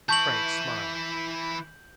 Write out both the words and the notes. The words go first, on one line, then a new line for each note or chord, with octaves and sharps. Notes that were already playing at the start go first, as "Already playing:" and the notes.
Frank smiled.
E3 E4 A5 C#6 G6 F#7